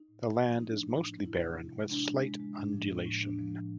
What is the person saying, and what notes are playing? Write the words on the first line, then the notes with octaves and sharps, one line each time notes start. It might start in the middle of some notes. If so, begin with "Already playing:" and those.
The land is mostly barren with slight undulation.
Already playing: D#4
A2
A3
F3
A3 D#4
D4
F3 D#4
A2
F3
C3 E4
F3
C3
G#3
C3 D4
G#3
G#3
G#3
A2 D4
F3
A2
A2
A2 D4
F3
A2